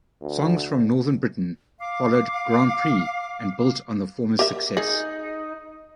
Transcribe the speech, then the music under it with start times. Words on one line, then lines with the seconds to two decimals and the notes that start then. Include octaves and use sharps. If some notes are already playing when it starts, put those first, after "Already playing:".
"Songs from Northern Britain" followed "Grand Prix" and built on the former's success.
0.21 D2
1.79 F5 D6
4.39 G4 A#4 E5
4.77 D#4 G#4